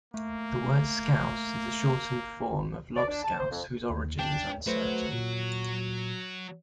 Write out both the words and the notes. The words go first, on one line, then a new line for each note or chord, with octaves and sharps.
The word "scouse" is a shortened form of "lobscouse", whose origin is uncertain.
A3 A#3
D5
D4
A5
C5
F2
D#2
D4 G5
F#3 A3 F#4 B4 C5
A#2